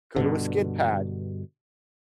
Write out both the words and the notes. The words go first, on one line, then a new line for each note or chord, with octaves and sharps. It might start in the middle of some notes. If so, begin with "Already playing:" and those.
go to a skid pad.
G2 B2 D3